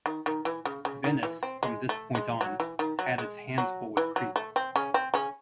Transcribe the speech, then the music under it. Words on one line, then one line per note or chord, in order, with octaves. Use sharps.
Venice, from this point on, had its hands full with Crete.
D#3
D#3
E3
C#3
C#3
D#3
E3
C4
G#3
A3
G#3
F#3
E3
D#3
F#3
G#3
F#3
E3
F#3
A3
C4
C#3 C#4
C4
C#3 C#4